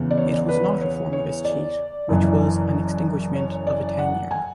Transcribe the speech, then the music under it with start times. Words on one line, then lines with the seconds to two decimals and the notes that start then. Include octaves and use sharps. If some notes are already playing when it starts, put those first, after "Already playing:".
It was not a form of escheat, which was an extinguishment of a tenure.
Already playing: E2 C#3 E3 B3
0.11 D5
0.17 C#5
0.33 D5
0.49 B4
0.65 C#5
0.81 C#5
1.13 C#5
1.45 D5
2.08 F#1 F#2 E3
3.35 C#5
3.67 D5
3.99 F#5
4.31 G#5